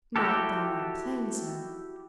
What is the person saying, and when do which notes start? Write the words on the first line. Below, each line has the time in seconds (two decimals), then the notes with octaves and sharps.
"Not downright plain, sir?"
0.16 E4 F#4 G4 A4